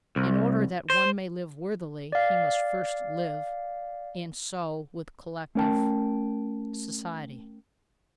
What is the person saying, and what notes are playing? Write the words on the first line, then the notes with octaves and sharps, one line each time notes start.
In order that one may live worthily he must first live, and so with collective society.
C2
C5
D5 F5
A3 C#4 A#4 G5 A5